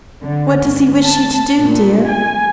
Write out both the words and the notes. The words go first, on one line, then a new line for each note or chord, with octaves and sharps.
'What does he wish you to do, dear?'
D3
G#2
A5
A#2
G#5